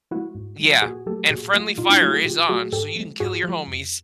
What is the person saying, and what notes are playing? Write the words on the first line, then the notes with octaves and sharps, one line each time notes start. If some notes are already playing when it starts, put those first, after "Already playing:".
Yeah, and friendly fire is on, so you can kill your homies.
F3 G#3 E4 F#4
G#2
F3 G#3
A#2 F#4 G#4
F#3 A3 G4 A4
A#2 F#4 G#4
F#3 A3 F4 G4
A#2 D#4 F4
D4 E4
F#3 A3 E4 F#4
F#4 G#4
A#2 F4 G4
F#3 A3 F#4 G#4
G#2 G4 A4
F3 G#3
G#2 F#4 G#4
F3 G#3
F2